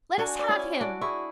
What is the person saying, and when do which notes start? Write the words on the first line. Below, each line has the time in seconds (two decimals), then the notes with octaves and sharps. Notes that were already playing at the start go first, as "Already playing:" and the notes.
Let us have him!'
0.18 D4 F#4 G#5
0.39 D5
0.49 C#4 E4
0.59 G#5
0.81 D4 F#4 D5
1.01 E4 G#4 C#6